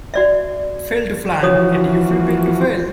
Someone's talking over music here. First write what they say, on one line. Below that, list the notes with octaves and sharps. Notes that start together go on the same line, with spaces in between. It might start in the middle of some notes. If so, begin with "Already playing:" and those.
Fail to plan, and you Prepare to fail.
F#4 D5 E5
E3 F3 F#4 C#5 D#6